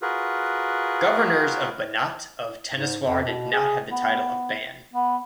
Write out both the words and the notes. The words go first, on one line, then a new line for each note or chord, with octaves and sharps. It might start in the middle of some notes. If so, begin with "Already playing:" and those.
Governors of Banat of Temeswar did not have the title of "ban".
F4 F#4 G#4 A#4 B4
G#2
F2
B2
G#4
B3
B3